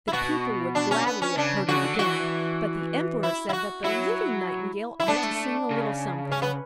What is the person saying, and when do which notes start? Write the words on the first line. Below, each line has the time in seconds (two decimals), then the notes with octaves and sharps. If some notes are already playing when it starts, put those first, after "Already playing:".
The people would gladly have heard it again, but the Emperor said that the living Nightingale ought to sing a little something.
0.08 E4
0.13 B2 F#4
0.75 D4
0.91 C#4
1.06 B3
1.22 C#4
1.37 C#3 D4
1.68 D3 F#4
1.76 C#3
1.85 D3
1.93 F#3
1.99 E3 F#4
3.23 E4
3.49 E4
3.53 F#4
3.84 F#3 E4
5.00 E4
5.08 A3 D4
5.16 B3
5.23 A3
5.71 C#3
6.32 C#4
6.42 B3